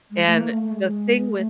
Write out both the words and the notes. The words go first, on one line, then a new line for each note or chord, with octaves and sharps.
and the thing with
G#3
A3
A#3
A3
A3
G#3
G#3
A3